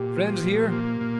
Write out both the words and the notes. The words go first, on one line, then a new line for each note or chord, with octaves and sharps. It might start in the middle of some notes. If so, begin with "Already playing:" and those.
Friends here.
Already playing: A#2 G4
F3
A#2
A#3
A#2